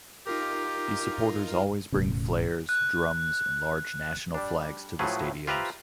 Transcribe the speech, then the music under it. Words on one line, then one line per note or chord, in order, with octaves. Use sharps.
These supporters always bring flares, drums and large national flags to the stadiums.
D#4 F4 G4 A#4
E1 A2 C#3
F#6
G3 D4
A2 F3 F#3 A3 G#4 B4
F4 G4 B4 C5 E5 A#5